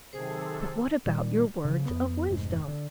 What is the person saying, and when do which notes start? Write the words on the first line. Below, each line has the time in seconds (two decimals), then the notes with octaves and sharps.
'But what about your words of wisdom?'
0.13 C3 D#3 F#3 G#4 A4 C5
1.06 A#2 D#3 G3
1.65 C#3 F3
1.86 F2 B3
2.30 F1 G#2
2.68 D3